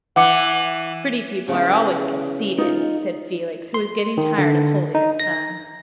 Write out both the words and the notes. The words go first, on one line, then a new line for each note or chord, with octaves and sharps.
"Pretty people are always conceited," said Felix, who was getting tired of holding his tongue.
E3 F#5 D6 C#7
C#3 E3 B3
D#4 F4
C6
D#3
D3
D#4
A#6